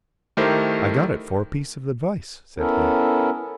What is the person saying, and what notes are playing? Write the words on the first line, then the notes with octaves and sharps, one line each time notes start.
"I got it for a piece of advice," said he.
D#3 A3 E4 G4 A#4 C5
B3 C#4 E4 A4 A#4